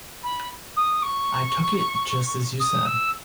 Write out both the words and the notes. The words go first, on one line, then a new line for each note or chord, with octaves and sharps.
I took it just as you said.
B5
D#6
C#6
D#6
E6